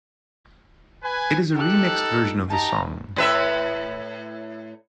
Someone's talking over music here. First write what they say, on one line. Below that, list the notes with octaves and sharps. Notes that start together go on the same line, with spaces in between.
It is a remixed version of the song.
B4 G#5
D#4 G4 A4 F#6
D#4 G4 A5 A#5
A2 B4 E5